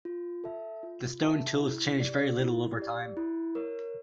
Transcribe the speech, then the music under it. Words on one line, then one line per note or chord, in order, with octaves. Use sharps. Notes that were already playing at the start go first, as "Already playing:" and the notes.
The stone tools changed very little over time.
F4
A4 E5 A5
F4
A4 E5 A5
E4
G4 D5
E4
G4 D5
E4
A#4 C#5